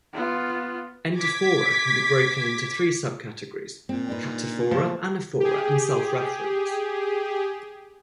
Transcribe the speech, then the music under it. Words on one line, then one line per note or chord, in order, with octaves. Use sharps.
Endophora can be broken into three subcategories: cataphora, anaphora and self-reference.
B3 F4
D6 G#6 B6
A#2 C4
D4 D#4 B4
F3 A3 C5 A5
G4 G#4